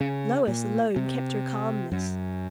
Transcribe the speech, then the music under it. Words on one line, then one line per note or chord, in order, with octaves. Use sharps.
Lois alone kept her calmness.
C#3
A#2
C3
F#2